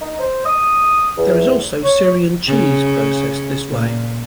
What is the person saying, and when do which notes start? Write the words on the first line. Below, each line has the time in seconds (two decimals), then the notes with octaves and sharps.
There is also Syrian cheese processed this way.
0.02 D#4
0.20 C5
0.45 D#6
1.18 E2
1.83 C#5
2.47 C#3
3.68 A#2